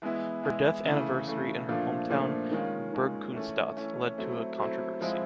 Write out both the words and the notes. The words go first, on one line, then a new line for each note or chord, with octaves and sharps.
Her death anniversary in her hometown Burgkunstadt led to a controversy.
E3 G#3 B3 E4
E3 G#3 B3 E4
C#3 E3 A3
C#3 E3 A3
A#2 F3 A3 D4 F4
A#2 F3 A3 D4 F4
D#3 G#3 C#4 F4
D#3 G#3 C#4 F4
E3 A3 C#4
E3 A3 C#4
F#3 A3 C4 E4
F#3 A3 C4 E4
F3 G#3 C4 E4